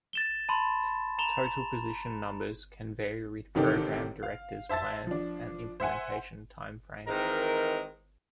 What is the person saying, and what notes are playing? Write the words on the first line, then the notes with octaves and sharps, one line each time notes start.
The total position numbers can vary with program directors' plans and implementation time frame.
A6 E7 G7
A5 B5 C6
A#5 E7 F7 G7
A1 C3 D#3 D#4 G4 A4
F5
C5 E5 A5 E6 A6
F3 D4
C5 E5 F#5 G#5
D#3 E3 G#3 C4 A#4